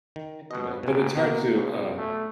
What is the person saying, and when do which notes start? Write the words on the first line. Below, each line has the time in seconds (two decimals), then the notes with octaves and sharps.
you know, but it's hard to, um,
0.16 D#3
0.51 B2 D#5 F#5
0.83 F1 B2 G#5
1.17 B2 A#3 B3
1.53 C#2
1.98 A3